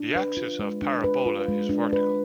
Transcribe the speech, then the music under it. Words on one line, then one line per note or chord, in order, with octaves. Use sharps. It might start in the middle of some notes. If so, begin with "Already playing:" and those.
The axis of the parabola is vertical.
Already playing: D4
B4
F4
G#3
D4
B4
F4
G#3
D4
B4